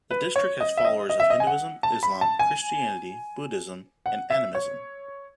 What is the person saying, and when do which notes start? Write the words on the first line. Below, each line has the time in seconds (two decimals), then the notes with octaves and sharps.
The district has followers of Hinduism, Islam, Christianity, Buddhism and Animism.
0.11 B4
0.36 C#5
0.60 D#5
0.77 E5
0.85 D#5
1.09 D#5
1.20 E5
1.30 D#5
1.40 G#5
1.47 F#5
1.83 A5
2.03 B5
2.21 A5
2.39 G#5
4.06 F#5
4.30 E5
4.55 C#5